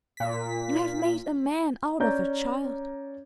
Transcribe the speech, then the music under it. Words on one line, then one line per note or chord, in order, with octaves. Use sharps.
You have made a man out of a child.
A#2 B6
C#4 D5 A#5 G6